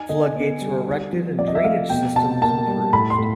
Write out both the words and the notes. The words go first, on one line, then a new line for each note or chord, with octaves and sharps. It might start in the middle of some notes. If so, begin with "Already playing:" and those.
Flood gates were erected and drainage systems improved.
Already playing: D#4 G#5
D3 D#5
B3
G3
D#4
F3
C4 D5
D#5
E5
A3 F5
B2 G5
B2 A5
A#3 A5
G3
A2 B5
C6
A2